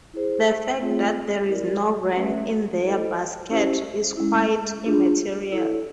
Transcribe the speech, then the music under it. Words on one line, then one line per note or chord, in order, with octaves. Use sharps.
The fact that there is no wren in their basket is quite immaterial.
E4 G#4 C5
A3 C4 F4 G#4 C#5
E4 G4 A#4 D5
A3 C#4 F#4 B4 E5
E4 A4 C5 D#5
C#4 E4 G4 C5
G#3 C#4 E4
D4 F4 G#4
E4 A4 C#5